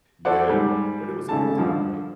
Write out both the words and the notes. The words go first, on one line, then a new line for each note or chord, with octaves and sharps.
Yeah, but it was a good time, though.
F#4 A4 C5 D5 F#5
G#2 G3
G#1 C#3 A3 A5
G2 D3 F3